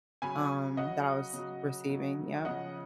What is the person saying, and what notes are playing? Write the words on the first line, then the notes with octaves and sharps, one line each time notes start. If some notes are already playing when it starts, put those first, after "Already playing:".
um, that I was receiving. Yep.
C#3 F#3 G#5 B5
C#3 F#3 D#5 F#5
C#3 F#3
C#3 F#3
C#3 F3 D#5 F#5